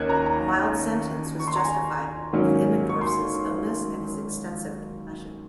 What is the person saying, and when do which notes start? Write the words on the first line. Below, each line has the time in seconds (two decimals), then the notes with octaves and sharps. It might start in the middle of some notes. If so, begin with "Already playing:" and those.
The mild sentence was justified with Immendorff's illness and his extensive confession.
Already playing: D#2 D#3 A#3 C#4 F#6 G#6
0.09 A#5
0.26 A#5
1.40 C#6
1.47 C6
1.56 A#5
1.64 G#5
2.33 G#2 D#3 F#3 A#3 C#4
2.89 C#6
3.01 C6